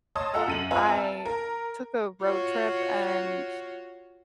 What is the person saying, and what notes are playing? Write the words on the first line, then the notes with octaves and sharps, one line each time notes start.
I took a road trip and
C#5 D#5 A5 C6 D#6
F4 A4 E5 F#5 A#5 E6
F#2 D#7 F#7
C4 F4 B4 E5 G#5 A#5
A5
A#4
F4 F#4 C#5